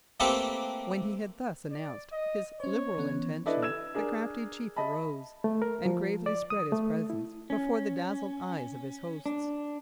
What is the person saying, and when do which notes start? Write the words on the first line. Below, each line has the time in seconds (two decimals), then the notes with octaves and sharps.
When he had thus announced his liberal intention, the crafty chief arose, and gravely spread his presents before the dazzled eyes of his hosts.
0.20 A3 A#3 C4 G4 A4 B4
1.71 D5
2.12 D#5
2.60 C#4 C5 C#5
2.98 E3 B3 C#4
3.46 D4 E4 A4 B4 D5 D#5
3.62 E6 G#6 E7
3.95 D4 G#4 A#4
4.76 D#5 E5 A5 B5
5.44 A3
5.62 A#4
5.85 F3
6.26 D5
6.50 D#6
6.72 A3
7.10 E4
7.50 C#4
9.26 D4